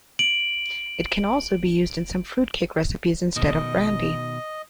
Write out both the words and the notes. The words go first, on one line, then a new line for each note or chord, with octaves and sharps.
It can also be used in some fruitcake recipes instead of brandy.
D7 F#7
B2 D#3 D#5